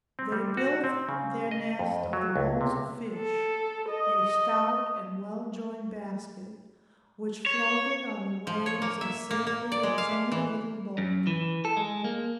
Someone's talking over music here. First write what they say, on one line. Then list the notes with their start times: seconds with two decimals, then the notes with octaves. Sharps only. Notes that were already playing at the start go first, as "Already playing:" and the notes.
They built their nest of the bones of fish, a stout and well-joined basket which floated on the waves as safely as any little boat.
0.19 C4
0.32 G3
0.57 F#4
0.84 C4
1.09 C#3
1.51 D#5
1.79 F2
2.13 F#3
2.36 C#2
2.61 C3
3.15 A4
3.90 D#5
7.46 C#5
8.47 F3
8.66 C#5
8.82 A#3
9.01 E5
9.31 A#3
9.47 A#3
9.72 D5
9.83 G#3
9.98 F5
10.32 E3
10.98 F#2
11.27 E3
11.65 A4
11.77 G#3
12.04 A#3